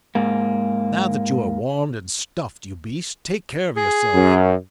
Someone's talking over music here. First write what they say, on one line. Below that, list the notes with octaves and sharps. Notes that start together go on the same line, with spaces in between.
Now that you are warmed and stuffed, you beast, take care of yourself.
G#2 A#3
G#4
F#2